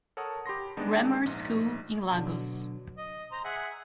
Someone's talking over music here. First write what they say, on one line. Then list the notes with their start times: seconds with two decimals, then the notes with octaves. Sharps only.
Grammar School, in Lagos.
0.17 A4 A#4 C#5 F#5 A5 D#6
0.46 G4 B5 C6 A#6
0.77 D#2 G#3 B3 D4 D#4
1.25 A#1 G#2 D#4
2.09 B2 D3 F#3
2.98 D#5
3.32 C5 A#5
3.44 G#4 E5 F#5